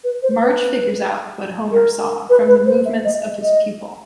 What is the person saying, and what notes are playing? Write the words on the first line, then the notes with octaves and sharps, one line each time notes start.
Marge figures out what Homer saw from the movements of his pupil.
B4
C5
B4
A#4
B4
B4
C5
E5
D#5
E5
D#5